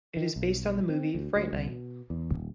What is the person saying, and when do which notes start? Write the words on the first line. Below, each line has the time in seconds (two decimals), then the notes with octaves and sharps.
It is based on the movie "Fright Night".
0.16 D#3
0.36 B1
0.89 C4
1.15 D2
1.35 D2
1.53 C2
1.67 B2
2.10 E2
2.35 D#1